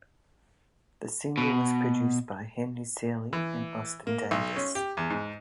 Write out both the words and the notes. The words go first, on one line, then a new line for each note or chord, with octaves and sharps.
The single was produced by Henry Seeley and Austin Davis.
B2
E3
A#3
B1
C#4
G4
E2
G#2